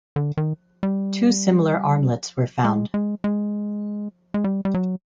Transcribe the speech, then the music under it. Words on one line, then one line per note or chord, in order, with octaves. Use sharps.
Two similar armlets were found.
D3
D#3
G3
G#3
G#3
G#3
G#3
G3
G3
F#3